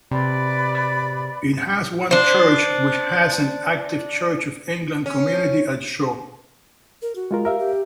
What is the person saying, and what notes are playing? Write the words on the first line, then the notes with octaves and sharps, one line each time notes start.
It has one church which has an active Church of England community at Shaw.
C3 B4 D5 B5
D4 C5
C#4
A#4
F#4
G#3 F4 A#4
G4 A#4 E5 F5
G4